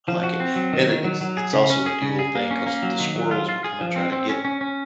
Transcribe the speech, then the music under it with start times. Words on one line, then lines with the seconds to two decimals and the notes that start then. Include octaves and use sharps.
I like it, and it it's also a dual thing 'cause the squirrels will come and try to get
0.08 F3
0.23 F#4
0.40 C4
0.56 F#3
0.73 D#3
0.89 D#3
1.04 F#3
1.21 F#3
1.37 G#4
1.53 C#3
1.70 C#4
1.86 G#4
2.02 C#3
2.19 G#4
2.35 A#3
2.51 C#4
2.67 A#3
2.83 F#3
3.00 D#3
3.16 F#3
3.31 F4
3.49 F4
3.64 G#4
3.81 F3
3.96 C4
4.12 C4
4.29 C#4
4.45 C#4
4.61 C#4